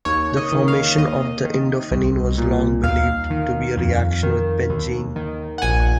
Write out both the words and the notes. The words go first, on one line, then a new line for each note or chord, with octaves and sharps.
The formation of the indophenin was long believed to be a reaction with benzene.
D#2 C#5
D#5
D#3
F5
D#2 D#5
D#3
C2
A#2
D#2 F5
D#3
F2
D#3
D#2
D#3
F#5
A#1 G#5